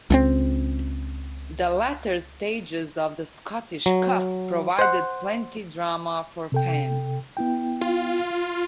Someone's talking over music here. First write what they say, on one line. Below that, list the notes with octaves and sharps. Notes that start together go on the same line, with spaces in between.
The latter stages of the Scottish Cup provided plenty drama for fans.
C#2 F3 C4
F#3
C5 F#5
C3 A4 G5
B3 E4 G5
F4